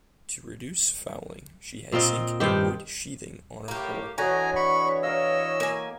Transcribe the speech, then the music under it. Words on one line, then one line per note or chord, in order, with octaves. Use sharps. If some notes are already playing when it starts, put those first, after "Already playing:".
To reduce fouling, she had zinc and wood sheathing on her hull.
A#2 C4 F4 D#5
G2 D#3 C4 G4
A2 A#3 G4
D3 E3 F#4 C#5 D#5 G#5 A#5
B5 C#6
A#4 D#5 F5 E6
A#3 G#5